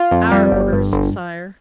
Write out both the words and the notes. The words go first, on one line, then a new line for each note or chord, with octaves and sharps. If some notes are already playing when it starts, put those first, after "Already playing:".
"Our orders, Sire."
Already playing: F4
F2
G3
G1
G2
G1